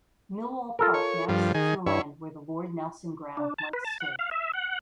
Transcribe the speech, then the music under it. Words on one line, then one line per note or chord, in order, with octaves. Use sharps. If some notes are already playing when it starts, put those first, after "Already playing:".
Millwall Park now sits on the land where the Lord Nelson Ground once stood.
F4 A4 A#4
C#5
G2 F3
D#3 G#4
G2 E4 C#5
D4
A5
B4
A5
F#5
F5
E5
F#5